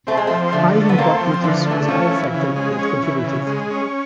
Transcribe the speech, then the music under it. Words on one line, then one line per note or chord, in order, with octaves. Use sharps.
High import duties was another factor that contributed.
A3 C4
G#3
F3 A3
D3 A3
A3
B3
A#3 C4
F3
D3 E3
E3 A3
F3 C#4
E3
C#3
G#3
C#4
E3
C#3
G#3
C#4